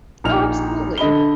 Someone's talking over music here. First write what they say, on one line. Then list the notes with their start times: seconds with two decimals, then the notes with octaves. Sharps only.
Oh, absolutely.
0.24 A#1 D#4 F6 F7
0.98 D3 D#5 B5 G7